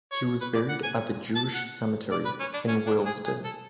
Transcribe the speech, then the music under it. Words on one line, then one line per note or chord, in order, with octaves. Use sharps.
He was buried at the Jewish Cemetery in Willesden.
C#5
B4
D5
F#5
G#5
A5
F#5
D5
B4
C#4
D4
C#4
D4
G#4
G#4
A4